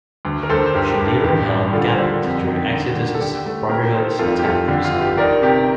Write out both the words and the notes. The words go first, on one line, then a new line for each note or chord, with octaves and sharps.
She later helped Gambit during Exodus's Brotherhood's attack on the school.
D2
A#4
D2 A4 C5
C5
G2 G4 A#4
G4
G2
A1 G4
G3
D3 F4 A4
C5
D3 G4 A#4
F2
D#3
D3
D3
A4
D3 G4
A3
A#3 G4 A#4
D#3 A4 C5
F2 F4 A4
G4
F2 F4 A4
D3 G4
F4
G1
G4
D#3 A#4 D5
C3 G4